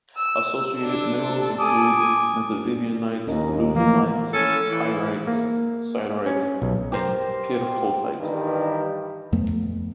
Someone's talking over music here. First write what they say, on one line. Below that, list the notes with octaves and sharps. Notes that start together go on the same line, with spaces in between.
Associated minerals include metavivianite, ludlamite, pyrite, siderite and pyrrhotite.
E6
D4 A4
G#5 D6 D#6
D4
D#2 C#4 A#4 D#5
E3 F3 A#3
A2 C#4 A4
E3
A#3
C#4
B1
G4 A#4 C5
G2 D#3 E3 G3
F2 A3 B3